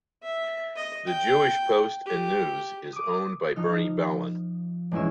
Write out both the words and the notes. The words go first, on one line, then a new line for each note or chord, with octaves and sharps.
"The Jewish Post and News" is owned by Bernie Bellan.
E5
D#5
G5
G4
D6 D#6
F3 D#4 F6
E1 G#3 C#4 E4 E7